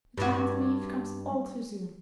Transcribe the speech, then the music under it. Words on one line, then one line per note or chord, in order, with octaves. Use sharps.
The time to leave comes all too soon.
G2 F#4